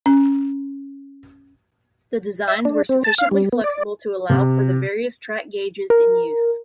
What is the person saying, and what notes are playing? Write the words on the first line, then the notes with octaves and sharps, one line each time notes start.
The designs were sufficiently flexible to allow for the various track gauges in use.
C#4
E5
D4
C4
A5
F5
G3
B3
D5
C3
A#4